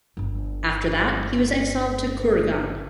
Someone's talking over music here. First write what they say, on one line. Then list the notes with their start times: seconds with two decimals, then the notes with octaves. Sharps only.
After that he was exiled to Kurgan.
0.17 G1 D4